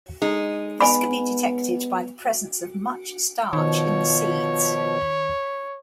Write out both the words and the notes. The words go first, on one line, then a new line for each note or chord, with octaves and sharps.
This can be detected by the presence of much starch in the seeds.
G#3 D#4
B3 G#5 B5
B2 D#3 F3 C#5